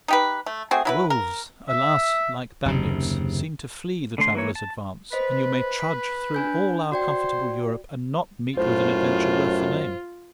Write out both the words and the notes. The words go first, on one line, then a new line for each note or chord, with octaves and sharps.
Wolves, alas! like bandits, seem to flee the traveler's advance, and you may trudge through all our comfortable Europe and not meet with an adventure worth the name.
D#4 G4 B4
A3
A3 C4 F#4 G#4
F#3 E4 B4
A#4
E5
F#1 D#2 C3
D3 A3 C6
E3 A#3 C#5
A5
B4 C5 D#5 B6
B6
D4 G#5 G6
F#4 C5 D5 G5
F#2 A2 F4 C5